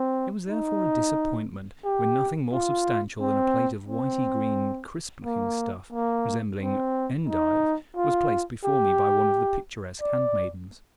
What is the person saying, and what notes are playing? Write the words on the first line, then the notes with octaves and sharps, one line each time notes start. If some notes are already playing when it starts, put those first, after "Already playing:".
It was therefore a disappointment when nothing more substantial than a plate of whitey-green, crisp-looking stuff resembling endive, was placed before me by one of the picturesque handmaidens.
Already playing: C4
D#4
G4
F4
C4
C4
A#3
A#3
C4
D#4
F4
G4
D5